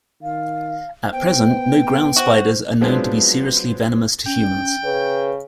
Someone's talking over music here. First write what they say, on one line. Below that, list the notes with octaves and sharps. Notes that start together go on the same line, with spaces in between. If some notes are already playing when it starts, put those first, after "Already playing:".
At present, no ground spiders are known to be seriously venomous to humans.
D#3 F5
B3 C5 G5
F#4 C5
F3 F#3 G#3 B3 C4 D4
C#4 G5
C#3 B4